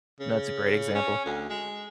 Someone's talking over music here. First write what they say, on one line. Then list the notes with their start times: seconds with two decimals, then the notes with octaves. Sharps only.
That's a great example.
0.20 C#3
0.95 C#4
1.25 D2
1.50 G#3